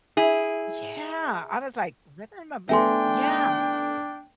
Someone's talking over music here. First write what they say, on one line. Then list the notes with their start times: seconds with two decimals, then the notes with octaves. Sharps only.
Yeah, I was like, "Rhythm of" Yeah,
0.17 E4 G#4
2.69 A3 B3 D4 E5 G5 G#5 C6